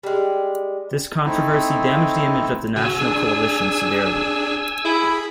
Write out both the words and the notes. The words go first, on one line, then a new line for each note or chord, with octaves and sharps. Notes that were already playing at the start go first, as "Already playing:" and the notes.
This controversy damaged the image of the National Coalition severely.
G3 G#3
A3 C4 D#4 E4
C#3 F#4 G#5 E6
D4 G#4
E4 G#4 B5